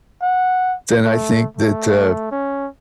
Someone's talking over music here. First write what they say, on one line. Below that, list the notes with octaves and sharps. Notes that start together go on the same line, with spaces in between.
then I think that, uh
F#5
A3
A3
C#4